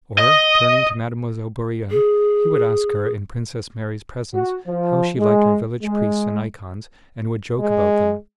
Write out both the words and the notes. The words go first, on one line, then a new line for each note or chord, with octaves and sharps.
Or, turning to Mademoiselle Bourienne, he would ask her in Princess Mary's presence how she liked our village priests and icons and would joke about them.
D#5
G#4
F#4
F3
G#3
G#3
G#3